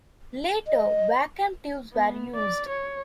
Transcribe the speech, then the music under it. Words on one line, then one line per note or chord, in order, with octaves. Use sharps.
Later, vacuum tubes were used.
D#5
B3
D5
C#5